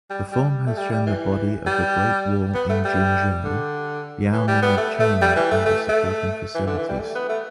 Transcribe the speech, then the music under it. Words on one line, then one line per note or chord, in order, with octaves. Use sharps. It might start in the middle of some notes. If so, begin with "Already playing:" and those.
The form has shown the body of the Great Wall in Jinzhou, Liaoning of China and the supporting facilities.
G3
G3
A3
G3
G3
E3
G3
B3
A3
G3
D3
E3
G3
B3
A3
A3
G3
E3
A3
A3
A3
E3
D3
E3
G3
A3
B3
A3